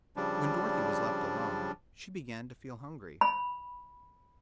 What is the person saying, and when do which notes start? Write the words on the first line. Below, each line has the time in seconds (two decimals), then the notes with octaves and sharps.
When Dorothy was left alone she began to feel hungry.
0.16 C#3 F3 G3 D4
3.21 B5